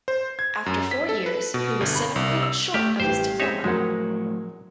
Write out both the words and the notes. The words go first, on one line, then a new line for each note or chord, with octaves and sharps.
After four years, he was seven credits short of his diploma.
C5
G#6
F#2
B6
A4
B4
B2
G1
B5
C2
E6
A3 G4 F6
A1 G2 E3 G4 C5
G#3 C4 D#4 C#5 E5
A2 F3 F#3 G#3 A#4 F#5